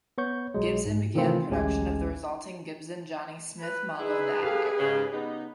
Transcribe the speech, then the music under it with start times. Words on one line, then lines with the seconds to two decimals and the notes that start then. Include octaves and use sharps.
Gibson began production of the resulting Gibson Johnny Smith model that year.
0.18 B3 C#5 C#6 G6
0.54 B1 F#3 G#3
0.86 G#2
1.15 C3 D#3 E3 A3 C4 F4
1.50 A1 D2 G#3 C#4 G4 G#5
3.60 B4
3.99 D#4 E4 G#4 B4
4.43 G4 A4 F5
4.79 G#2 C#3
5.13 C#3 B3 D#4